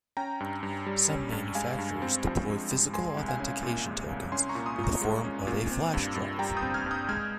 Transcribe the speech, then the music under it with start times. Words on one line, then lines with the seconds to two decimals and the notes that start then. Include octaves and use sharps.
Some manufacturers deploy physical authentication tokens in the form of a flash drive.
0.17 C#4 G5 A#5
0.40 G2
0.63 G2
0.86 G3
1.09 C#4
1.32 G2
1.55 G#3 F5 G#5
1.78 G2
2.02 C4
2.24 F3
2.48 G#3
2.71 G2
2.93 G#3 G#5 C6
3.17 C2
3.28 F5 G#5
3.40 C#4
3.63 A#2
3.86 G#3
4.09 C2
4.32 C#4 G#5 C6
4.49 A#5 C#6
4.55 A#2
4.66 C6 D#6
4.78 F4
4.84 A#5 C#6
5.01 G#3
5.24 C#4
5.47 A#2
5.71 C4
5.94 G2
6.16 G2
6.39 G3 G5 A#5
6.57 D#6 G6
6.62 C4
6.74 F6 G#6
6.86 G2
6.91 D#6 G6
7.09 G#3 F6 G#6